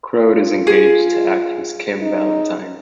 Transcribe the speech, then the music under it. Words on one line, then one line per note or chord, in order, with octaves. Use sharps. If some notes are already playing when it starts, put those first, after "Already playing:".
Croad is engaged to actress Kym Valentine.
F4
G#4
D#4